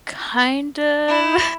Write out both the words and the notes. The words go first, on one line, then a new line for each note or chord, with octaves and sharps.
Kind of,
E4